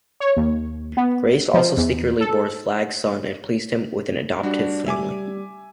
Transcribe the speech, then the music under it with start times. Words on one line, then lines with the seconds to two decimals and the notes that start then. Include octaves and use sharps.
Grace also secretly bore Flag's son and placed him with an adoptive family.
0.20 C#5
0.36 D#2
0.97 B3
1.54 F3
1.77 E2
2.21 A4
4.43 G3 D4 F#4
4.86 G3 E5 G#5 D6